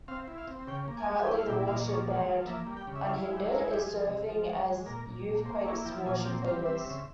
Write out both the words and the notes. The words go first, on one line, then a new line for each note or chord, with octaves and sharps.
Currently, the worship band Unhindered is serving as YouthQuake's worship leaders.
C4 F5
E4
F5
C4
C#3 G5
A#3
G#5
G3
G#5
E4 G5
F5
A#2 G5
A#2 F5
F3 C#5
G#3
C5
F3
A#3 E5
G3
G5
C#3
E5
E4 F5
F5
G#3
G4
E4 A#4
G#4
G#3 G4
G#4
F3
C3
F3
G#3
G#3
A#2 A#4
A#2
A#2
A#3 C5
E4 C#5
F3 G5
A#2 G#5
C4 G5
G3 F5
C4 E5
C#3